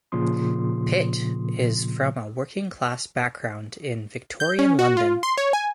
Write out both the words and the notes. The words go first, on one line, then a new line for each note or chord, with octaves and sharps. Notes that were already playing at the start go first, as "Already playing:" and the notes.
Pitt is from a working-class background in Victorian London.
A#2 C#3 F3 C6 D#6
G6
C#4
F#4
F4
C6
C#5
G#5